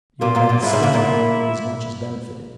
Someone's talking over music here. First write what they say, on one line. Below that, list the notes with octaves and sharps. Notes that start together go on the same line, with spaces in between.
You have been stoned as much as benefited.
A#2 A#3 F4
A#2 A#3
A#2 A#3
G#2 G#3 E4
G#2 G#3
A#2 A#3
A#2 A#3